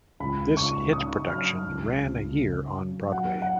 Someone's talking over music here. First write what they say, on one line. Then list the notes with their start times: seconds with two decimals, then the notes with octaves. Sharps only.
This hit production ran a year on Broadway.
0.20 C#2 B5
0.57 C#2 C#6
0.93 C#3 D#6
1.29 F#3 F6
1.66 C#2
2.02 C#2
2.39 C#3
2.75 F#3
3.12 F#3 F#5
3.42 F#5